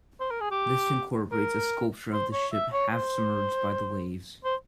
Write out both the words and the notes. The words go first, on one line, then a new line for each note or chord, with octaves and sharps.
This incorporates a sculpture of the ship, half-submerged by the waves.
C5
A#4
G#4
G4
A#4
C5
C#5
E5
C#5
C5
C5